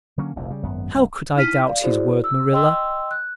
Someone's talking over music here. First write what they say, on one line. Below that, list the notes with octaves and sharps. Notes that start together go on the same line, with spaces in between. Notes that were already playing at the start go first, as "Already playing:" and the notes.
How could I doubt his word, Marilla?
D3 F#3 A#3 C#4
F1 A#1 E2
C#3 G3
G#1 F#2 B3
C2 G2
D#4 E4 F6 B6 D#7
D5 F5
E4 F#4 G#4 C5 D5
E6
D#5 G5 C6 E6
F#6